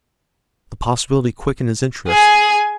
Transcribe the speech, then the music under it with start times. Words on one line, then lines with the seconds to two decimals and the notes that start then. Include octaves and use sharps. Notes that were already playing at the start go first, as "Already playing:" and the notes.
The possibility quickened his interest.
2.07 G#4 G#5